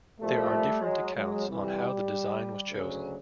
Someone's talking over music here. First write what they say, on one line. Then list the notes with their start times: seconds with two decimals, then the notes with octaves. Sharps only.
There are different accounts on how the design was chosen.
0.19 C2 A#2 F3 G3 A3
0.82 F#3 G#3
1.14 F#3 G#3
1.45 F2 C3 E3 G3
2.70 D2 C#3 F#3